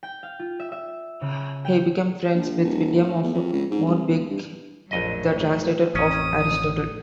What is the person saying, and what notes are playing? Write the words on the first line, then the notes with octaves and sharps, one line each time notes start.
He became friends with William of Moerbeke, the translator of Aristotle.
G5
F5
F4
E5
E5
C#3
G5
A#1
D#1
A2
E2
F2
C#2
G#2
C2
E1
G2
A#1 F2 A2 F#3 A3 D#5
A1 F2 C#4 D#6